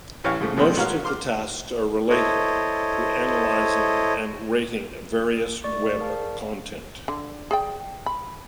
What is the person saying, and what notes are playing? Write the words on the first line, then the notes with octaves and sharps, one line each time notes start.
Most of the tasks are related to analyzing and rating various web content.
A1 E3 C#4 F5 G5 C#6
G#2 C#3 F3 A3
B2 F3 G#3 A3 B3 C4
A1 G#3 F#4 A#4 C#5 F5
C6 D6 F6
E4 A4 C5 C#5 D#5
A3 D5 C#6
G#4 A#4 D5 F5 A5
D3
G#4 D5 G5
B5